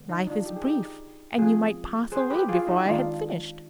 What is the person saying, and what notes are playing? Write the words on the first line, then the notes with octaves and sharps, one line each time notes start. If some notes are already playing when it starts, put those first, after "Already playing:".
Life is brief, and you might pass away before I had finished.
Already playing: D3 G#3 B3
D#4
D4 F4
D#4 G4
G#4
D#4 G4
F3 G#3 C4 F4 G#4
G#4 C5
G4 B4
F4 G#4
D#4 G4
D#3 G#3 B3 D4 F4